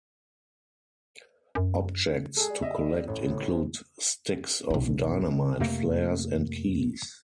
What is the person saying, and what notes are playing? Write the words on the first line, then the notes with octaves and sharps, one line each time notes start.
Objects to collect include sticks of dynamite, flares, and keys.
F#2
G#3 G#4 A4
G3
D#5 E5
A1 A2
C3
B1 E4
F2 C3 A3 A#3